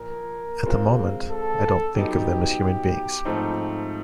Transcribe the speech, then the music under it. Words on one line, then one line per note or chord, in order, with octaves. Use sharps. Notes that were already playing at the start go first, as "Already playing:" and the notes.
At the moment, I don't think of them as human beings.
Already playing: A#2 F3 A#3 A#4
G#3 C4 F4
A4
F#3 B3 D#4 G4
G#2 F3 A3 C4 D#4